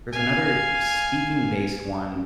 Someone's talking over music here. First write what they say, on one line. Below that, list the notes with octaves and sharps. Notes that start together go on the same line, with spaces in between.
There's another speaking-based one,
F5 G#5